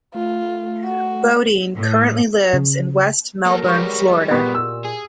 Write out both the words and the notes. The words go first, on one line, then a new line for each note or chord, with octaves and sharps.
Bodine currently lives in West Melbourne, Florida.
A3 F4
F#4
A2
C#3
F#3 A#3 A4 A#4
G3 G#3 F#4 B4 C#6
F2 A#2 F#3 D#5
A#2 B3 G4 F#5 D#6
E6
G#4